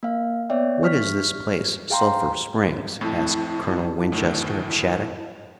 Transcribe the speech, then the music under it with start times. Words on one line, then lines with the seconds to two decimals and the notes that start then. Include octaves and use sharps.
"What is this place, Sulphur Springs?" asked Colonel Winchester of Shattuck.
0.03 A#3 F5
0.50 B3 C#5 D5 E5 G5
0.83 C#6 F6 B6
1.90 G#4 F5 G5 A#5 C6
3.01 F2 A2 E4 A5
4.12 D2 A2 D#3